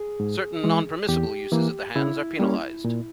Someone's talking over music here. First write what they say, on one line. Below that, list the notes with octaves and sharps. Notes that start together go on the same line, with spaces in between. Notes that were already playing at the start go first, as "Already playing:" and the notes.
Certain non-permissible uses of the hands are penalized.
Already playing: G#4
G#2
E3 G#3
E2 G4
E3 A#3
C#3 E4
G3 A#3 C#4
A#2